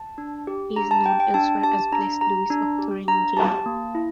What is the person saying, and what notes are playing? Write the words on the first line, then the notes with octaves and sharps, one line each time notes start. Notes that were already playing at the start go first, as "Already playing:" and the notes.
He is known elsewhere as Blessed Louis of Thuringia.
Already playing: A5
D4
G4
D4 A#5
A5
G4 G5
G5
D4 A5
G4 A5
D4 A#5
G4 A#5
D4
G4
D4 A#5
G4 A5
A#3
E4